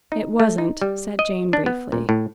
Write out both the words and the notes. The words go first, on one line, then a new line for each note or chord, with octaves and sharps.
'It wasn't,' said Jane briefly.
D#4
A3
D#4
G3
D#5
D4
B3
A#2
A2